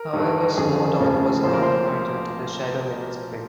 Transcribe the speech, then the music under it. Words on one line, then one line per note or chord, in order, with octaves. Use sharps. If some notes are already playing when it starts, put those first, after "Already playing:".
However, Snowdon was not appointed to the shadow ministry.
Already playing: A#4
G1 G2 D#3
G1 F2 C#3 F3 G#4
F1 D#2 C#3 F3
A#1 A#2 F3 C5
A#4
C5